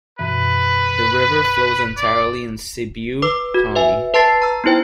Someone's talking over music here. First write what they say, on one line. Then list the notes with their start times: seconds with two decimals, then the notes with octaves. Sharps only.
The river flows entirely in Sibiu County.
0.19 F#2 B2 E3 B4
1.97 D5
3.22 B4 D6 E6
3.54 F#4
3.76 B4 E5 G#5
4.14 B4 A5 C6 A6 C7
4.42 A#5 E6
4.64 B3 D#4 E4 C5 G5